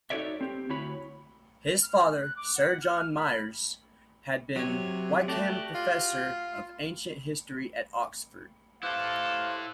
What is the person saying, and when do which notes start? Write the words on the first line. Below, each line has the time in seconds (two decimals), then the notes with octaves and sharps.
His father Sir John Myres had been Wykeham Professor of Ancient History at Oxford.
0.10 D#4 F#4 A4 C#5 D5 E5
0.41 C4 G4
0.69 D2 E4 F#4 C#5 B5
1.83 F6
2.21 F#6
2.36 D6
2.55 F#5
2.81 F6
3.16 B5
4.56 C3 F#3 C#5
5.28 A3 F#4 G4 D5
5.75 F4
8.83 E4 G4 A4 B4 C5 F5